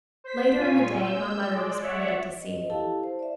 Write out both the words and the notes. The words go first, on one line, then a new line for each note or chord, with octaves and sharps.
Later in the day, my mother was permitted to see me.
C5 B6
A#2 C#4 F4 G#5
E6 G6
G#3 D5
C#5 D5 E5 F#5
D#5
D#5
E4 G4 A4 F5 A5
C5
D5 E5